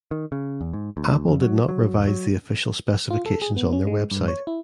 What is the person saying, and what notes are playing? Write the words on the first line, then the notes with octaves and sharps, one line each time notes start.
Apple did not revise the official specifications on their web site.
D#3
C#3
E2
G#2
D2
F2
F#3
F#3
E1
F#3
F4
A4
G#4
B3
C#4
G#3
G2
C#5
E4